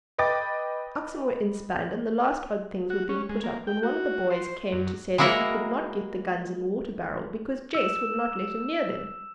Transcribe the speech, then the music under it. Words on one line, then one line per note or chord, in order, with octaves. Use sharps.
The oxen were inspanned and the last odd things were being put up when one of the boys came to say that he could not get the guns and water-barrel because Jess would not let him near them.
B4 D#5 G5 D6 A6
F#4
C#4
G#3
A#3
G5
F#4
C5
F#2
G#3 A#3 E4 F#4 A#4
E6 E7